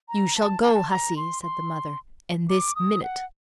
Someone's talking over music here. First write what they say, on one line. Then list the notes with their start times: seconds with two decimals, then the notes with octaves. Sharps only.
"You shall go, hussey," said the mother, "and this minute."
0.09 A#5
0.36 A5
0.62 A5
0.89 A#5
1.16 C6
1.43 C6
2.49 D6
2.76 D#6
3.03 F#5